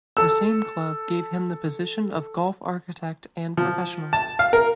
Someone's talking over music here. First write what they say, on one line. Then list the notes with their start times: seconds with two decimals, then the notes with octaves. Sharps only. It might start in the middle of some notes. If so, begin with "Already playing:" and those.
The same club gave him the position of Golf Architect and Professional.
0.17 A4 E6
3.57 F3
4.13 A5
4.39 F5
4.53 A#4